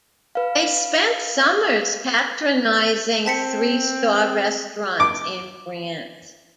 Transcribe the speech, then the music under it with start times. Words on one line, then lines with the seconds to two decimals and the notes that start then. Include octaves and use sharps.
They spent summers patronizing three-star restaurants in France.
0.35 B4 F5
3.26 C4 A5 B6 C#7
5.00 D6